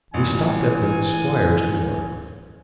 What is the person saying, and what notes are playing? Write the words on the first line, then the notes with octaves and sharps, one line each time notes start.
We stopped at the 'squire's door.
A1 A#2 E3 G#5